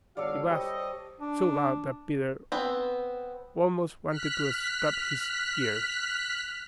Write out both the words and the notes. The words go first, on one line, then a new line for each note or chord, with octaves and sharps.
It was so loud that Peter almost wanted to stop his ears.
G#1 F#4 A4 C#5 D5 F5
G3 C5 D#5
D4
B3 C4
F6 F#6 B6